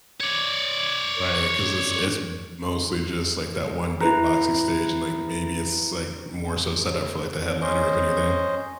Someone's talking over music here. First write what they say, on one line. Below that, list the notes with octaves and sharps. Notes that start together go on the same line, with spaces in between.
Right, 'cause it's it's m mostly just, like, that one big boxy stage, and, like, maybe it's, like, more so set up for, like, the headliner if anything.
C#5 D5
E4 B4 A#5
C#4 C5 D#5